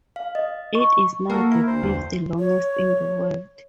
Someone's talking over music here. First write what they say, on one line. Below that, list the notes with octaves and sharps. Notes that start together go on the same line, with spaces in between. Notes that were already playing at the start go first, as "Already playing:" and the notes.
It is now the fifth longest in the world.
F5
D#5
C#6
A#3 F#4 A4 A#4
E4 A#4
D2 C5
E2
C#5